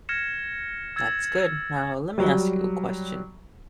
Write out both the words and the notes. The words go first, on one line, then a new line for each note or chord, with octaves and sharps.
That's good, now let me ask you a question.
F6 G#6 A#6 C#7 E7
E6 G#6 A6
F#3 G3